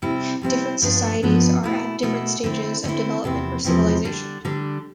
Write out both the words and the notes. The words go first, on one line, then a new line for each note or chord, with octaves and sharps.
Different societies are at different stages of development or civilisation.
C3 G3 C4 E4
C3 G3 C4 E4
G2 F3 B3 D4
G2 F3 B3 D4
B2 A3 E4
B2 A3 E4
D3 A3 C4 E4
D3 A3 C4 E4
E2 C3 F3 C4 E4
E2 C3 F3 C4 E4
D3 G3 D4
D3 G3 D4